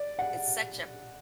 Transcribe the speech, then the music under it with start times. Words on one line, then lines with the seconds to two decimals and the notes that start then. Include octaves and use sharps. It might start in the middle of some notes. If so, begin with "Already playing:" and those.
It's such a
Already playing: D5
0.19 F#5